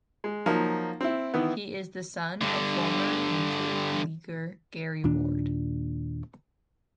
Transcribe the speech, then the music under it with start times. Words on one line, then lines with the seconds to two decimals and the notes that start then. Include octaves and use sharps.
He is the son of former major leaguer Gary Ward.
0.24 G#3
0.46 F3 F#3 A#3 D#4
1.01 C4 E4
1.34 D#3 E3 B3
2.41 G2 D3
5.04 D#2 A#2 D4